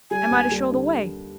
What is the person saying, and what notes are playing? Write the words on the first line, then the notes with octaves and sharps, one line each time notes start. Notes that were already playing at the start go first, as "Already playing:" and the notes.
Am I to show the way?'
G3 G#5
D#2
G3
D3